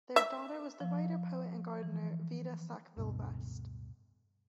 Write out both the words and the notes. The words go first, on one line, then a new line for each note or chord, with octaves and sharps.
Their daughter was the writer, poet and gardener Vita Sackville-West.
E5
F3
E3
D1 G2 B2